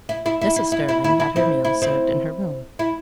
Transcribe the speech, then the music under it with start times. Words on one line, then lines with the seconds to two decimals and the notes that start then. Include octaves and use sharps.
Mrs. Sterling had her meals served in her room.
0.09 E4
0.26 E4
0.41 E4
0.56 E4
0.72 E4
0.89 E4
1.04 E4
1.20 E4
1.36 C4 E4
1.65 E4
1.82 C4 E4
2.79 E4